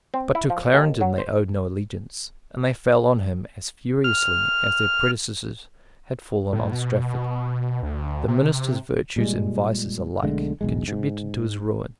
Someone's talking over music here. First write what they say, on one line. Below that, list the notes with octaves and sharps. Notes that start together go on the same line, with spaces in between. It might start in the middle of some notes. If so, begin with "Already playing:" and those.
But to Clarendon they owed no allegiance; and they fell on him as furiously as their predecessors had fallen on Strafford. The minister's virtues and vices alike contributed to his ruin.
C4
E4
F3
D#2
F#3
C5
F6
A2
B2
D2
C3
A#2 G3 G#3
B1 D3 G#3 A3
E1 B1 G#3
G#2